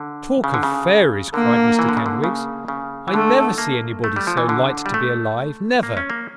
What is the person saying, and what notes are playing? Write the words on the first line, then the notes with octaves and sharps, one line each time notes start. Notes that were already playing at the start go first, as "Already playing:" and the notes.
'Talk of fairies!' cried Mr Kenwigs 'I never see anybody so light to be alive, never.
Already playing: D3
C#3
D3
C#3
D3 A#3
E3
D3
C#3
D3
C#3
C#3
E3
D3 A3
A#3
A3
G3
F3
E3
D3
G3
A3
A#3
C#4
A#3